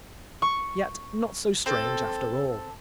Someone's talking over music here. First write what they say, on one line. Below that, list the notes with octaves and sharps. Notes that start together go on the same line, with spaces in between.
Yet not so strange after all.
C#6
C4 A4